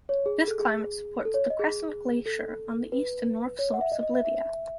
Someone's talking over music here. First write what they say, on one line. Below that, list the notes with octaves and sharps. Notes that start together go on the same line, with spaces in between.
This climate supports the Crescent Glacier on the east and north slopes of Lydia.
C#5
G#4
A4
G#4
A4
C#5
D#5
G#4
A4
B4
C#5
F#5
E5
D#5
D#5
E5
E5